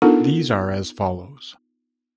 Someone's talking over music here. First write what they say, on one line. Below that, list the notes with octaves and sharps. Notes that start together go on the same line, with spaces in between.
These are as follows.
B3 D4 D#4 F4 A4 A#4